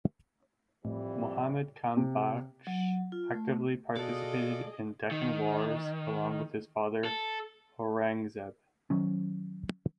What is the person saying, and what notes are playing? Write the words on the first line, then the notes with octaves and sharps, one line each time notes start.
Muhammad Kam Bakhsh actively participated in Deccan wars along with his father Aurangzeb.
F2 A2 E3 G3
C3
F#3
F4
A3
B2 F4 F#4 G#4 A4 D5 D#5 A5
D#3
A4
D#3 F#3 C#4